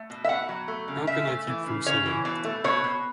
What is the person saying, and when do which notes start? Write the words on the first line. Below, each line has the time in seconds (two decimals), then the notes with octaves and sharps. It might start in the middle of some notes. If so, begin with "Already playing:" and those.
How Can I Keep from Singing?
Already playing: A3
0.10 B2
0.24 E5
0.29 B2 F#5
0.49 F#3
0.68 A3
0.88 C#3
1.07 C#3 E5
1.27 A3
1.47 E3
1.66 C#3
1.86 C#3 C#5
2.06 E3
2.25 B2
2.44 A3
2.64 B2 C#5
2.84 B2